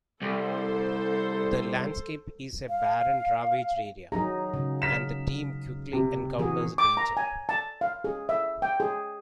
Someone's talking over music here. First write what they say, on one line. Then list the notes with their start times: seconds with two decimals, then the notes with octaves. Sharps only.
The landscape is a barren, ravaged area, and the team quickly encounters danger.
0.21 C2 A4 C5
2.69 F5
4.12 F#3 D#4 G#4 A#5
4.54 C#3
4.82 F6 B6 E7
5.93 C3 G4
6.39 E3 F#4 G#4
6.78 D6
6.97 A#5
7.17 G#5
7.49 A5
7.81 F5
8.04 G#4
8.29 E5
8.62 G5
8.80 G#4